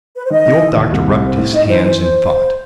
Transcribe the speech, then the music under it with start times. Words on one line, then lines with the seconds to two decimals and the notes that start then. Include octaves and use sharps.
The old doctor rubbed his hands in thought.
0.16 B4
0.24 C5
0.31 D#3 D#5
0.46 D#3
0.61 E4
0.77 D#2
0.92 C2
1.07 C2
1.22 C4
1.38 A2
1.52 D#4 D#5
1.68 E3 C5
1.83 C5